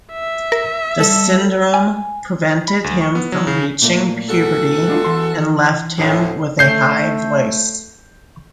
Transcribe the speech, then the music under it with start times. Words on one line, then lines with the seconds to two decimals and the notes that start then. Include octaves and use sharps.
The syndrome prevented him from reaching puberty and left him with a high voice.
0.12 E5
0.52 A#4
1.00 G3 A4
1.74 G#5
2.68 B5
2.84 D2
3.01 C#6
3.15 B3
3.32 F#3
3.47 C#3
3.82 A#2 A3 A#3
4.29 E2 F#4 A4
4.87 G#3 D4 F4
5.04 E3 C6
5.98 D2 A2
6.59 A3 G6 C7